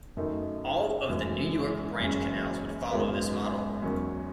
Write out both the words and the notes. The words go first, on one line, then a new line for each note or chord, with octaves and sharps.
All of the New York branch canals would follow this model.
F#2 D#3 A3 D#4
G#1 F#2 E3 A3
F#1 F#2 E3 G#3 C#4
G#1 F#2 D#3 G#3 B3
E2 D#3 F#3 C#4